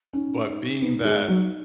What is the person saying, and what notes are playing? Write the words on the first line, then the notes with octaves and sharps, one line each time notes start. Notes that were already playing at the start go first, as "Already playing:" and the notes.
but being that
C#4 D#4
B3 D#4
G#3
F#3